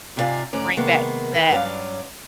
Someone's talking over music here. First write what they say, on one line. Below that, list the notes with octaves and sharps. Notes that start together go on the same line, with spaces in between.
bring back that
G#2 C3 E4 F4 D5 G#5
D2 G#2 C#4 D5 A#5
C3 D#3 G#3 A#3 B3
D#3 B4
G2 F#3 C#4 D5 F5